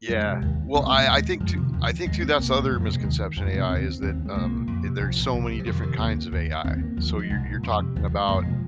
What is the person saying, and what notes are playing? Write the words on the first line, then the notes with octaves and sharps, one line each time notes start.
Yeah, well, I I think to I think, too, that's the other misconception of AI is that, um, eh, there's so many different kinds of AI. So you're you're talking about
F2 G#3
C3
D#2
C2 C4
G#3
A#2 A#3
D#2 G#3
F2 F3
F3
C3 D#3
D#2 F3
D#2 G#3
C4
C2 A#3
A#2 G#3
F2 F3
A#3
C3
G#3
D#2 D#3
F2 F3
G#3
C3 C4
D#2 C4
C4
D#2 C4
G#3
C2 A#3
A#2
F2
C3
C2 F3
A#2
C2
C3
F3
F2 D#3
C3 D#3
D#2 A#3
D#2
D#2 C4
A#3
D#2 F3
F3
G#3
C2
A#2
F2
C3
D#2 F3
G#3
F2 A#3
G#3
C3
F3